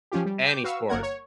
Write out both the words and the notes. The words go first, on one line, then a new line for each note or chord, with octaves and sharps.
Any sport.
F3 C#4 F4 G4
G3
G5 D6 G6
F#4 B4 F5 C#6 E6
G1 A#3 A#4 F#5 G#6
C#5